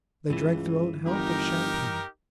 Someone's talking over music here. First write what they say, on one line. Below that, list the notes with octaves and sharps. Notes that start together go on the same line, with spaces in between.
They drank their own health in champagne.
C#2 G2 E3
G1 D#4 G4 A#4